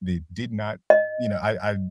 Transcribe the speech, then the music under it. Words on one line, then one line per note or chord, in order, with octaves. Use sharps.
that did not you know, I I
D#5